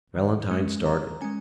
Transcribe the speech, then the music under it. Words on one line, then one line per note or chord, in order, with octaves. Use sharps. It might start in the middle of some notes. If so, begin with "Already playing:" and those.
Valentine started.
D#3
G#3 C#4
D#3 A#5
G#3 C#4 G#5